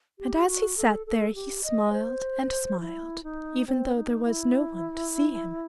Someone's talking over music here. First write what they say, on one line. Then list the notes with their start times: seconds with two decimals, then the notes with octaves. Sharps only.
And as he sat there he smiled and smiled, even though there was no one to see him.
0.19 G4
0.48 F#4
0.77 A4
1.07 A4
1.35 G4
1.64 D#5
1.93 C5
2.80 E4
3.24 D#4
3.67 C4
3.96 D#4
4.25 E4